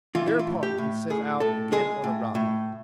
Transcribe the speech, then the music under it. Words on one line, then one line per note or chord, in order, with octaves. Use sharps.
Thereupon he set out again on a run.
E3 F4
E4
F4
A2
G4
A2
A2 G#4
A2 A4
G#3 G#4
A2
A2